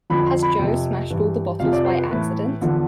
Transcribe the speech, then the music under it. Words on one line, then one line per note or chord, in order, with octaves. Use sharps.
Has Jo smashed all the bottles by accident?
F2 D3 F3 B5
C6
B5
F2 C3 F3 G5
G2 E3
F2 C3 F3 F5
D5
C5
B4
A2 E3 B4
E2 D3 F3